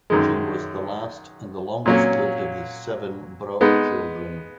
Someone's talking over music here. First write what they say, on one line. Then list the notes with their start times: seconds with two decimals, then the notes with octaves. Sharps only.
She was the last and the longest lived of the seven Brock children.
0.10 F#2 D#3 G#3
1.86 A#2 F#3 C#4
3.61 G#3 B3 D#4